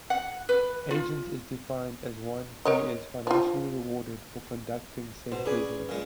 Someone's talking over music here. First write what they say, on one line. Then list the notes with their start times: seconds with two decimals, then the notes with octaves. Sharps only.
Agent is defined as one who is financially rewarded for conducting said business.
0.10 F#5
0.49 B4
0.91 F4
2.65 A#4 C#5 D#5
3.27 F3 F4
5.32 B2 C5
5.46 C#4 D4 G#4 B4
5.89 A#2 G#3